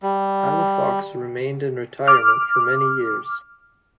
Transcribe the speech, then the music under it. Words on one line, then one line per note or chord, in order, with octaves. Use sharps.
Palafox remained in retirement for many years.
G3
D6 F6